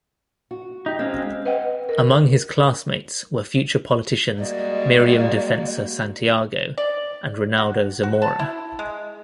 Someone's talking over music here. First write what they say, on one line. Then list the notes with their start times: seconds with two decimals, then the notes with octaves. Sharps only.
Among his classmates were future politicians Miriam Defensor Santiago and Ronaldo Zamora.
0.51 F#4
0.86 D#4 G4
0.99 G#3 C4 C#4 F5
1.45 B4 D#5 F#5 G5
1.89 A#4
4.38 G3 G#3 A#3 F#4 D5 D#5
6.78 D5
7.58 F#4
8.03 F#4
8.22 A5
8.39 E4
8.79 G#3